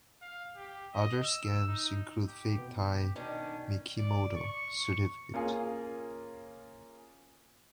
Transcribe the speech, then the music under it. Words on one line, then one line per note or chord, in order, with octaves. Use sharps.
Other scams include fake Thai Mikimoto certificates.
F5
G4
D#5
E6
D#4
G4
B2 B3
G4
D#3 C#4 D4
D5
C#6
A#3 C#4 F4 G#4